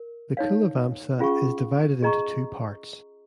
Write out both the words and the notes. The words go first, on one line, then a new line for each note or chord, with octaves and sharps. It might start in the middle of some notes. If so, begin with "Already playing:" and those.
The Culavamsa is divided into two parts.
Already playing: A#4
D#4 C#5 F5
C#4 F4 G#4 F5 C#6
G#4 D#5 A#5 C#6